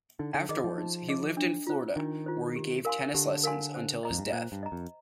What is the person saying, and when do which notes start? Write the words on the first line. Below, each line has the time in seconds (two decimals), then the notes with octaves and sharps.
Afterwards, he lived in Florida, where he gave tennis lessons until his death.
0.19 D3 D#4
0.34 D3
0.49 D#3 G#4 D#5
0.64 F3
0.78 D#4
1.09 G#4 D#5
1.37 D4
1.67 F4 C5
1.96 D#3 D4
2.26 F4 C5
2.56 G4
2.85 A#4 F5 G#5 C6
3.15 D3 G4
3.44 A#4 F5 G#5 C6
3.74 C5
4.03 D#5 A#5
4.11 F2
4.19 G2
4.25 G#2
4.33 A#2 C5
4.52 G2
4.63 D#5 A#5
4.72 F2